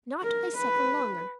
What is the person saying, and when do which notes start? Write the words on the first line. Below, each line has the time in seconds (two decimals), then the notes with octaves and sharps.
"Not a second longer."
0.23 A#4
0.57 B4